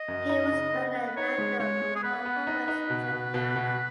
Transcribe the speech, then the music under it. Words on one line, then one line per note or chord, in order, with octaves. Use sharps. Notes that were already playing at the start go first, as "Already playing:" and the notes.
He was buried at Nandom in the Upper West Region of Ghana.
Already playing: D#5
F#2
D#4
C#3
B3
B3
B4
D#4 C#5
G#3
G#3 C#5
G#3
G#4
B3 B4
B3
D#4
D#4
B2
B2
B2
B2